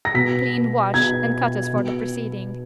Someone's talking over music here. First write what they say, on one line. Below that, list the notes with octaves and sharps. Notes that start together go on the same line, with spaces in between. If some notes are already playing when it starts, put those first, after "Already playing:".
Clean, wash and cut as for the preceding.
A#6
B2 B6
B2 G#6
B2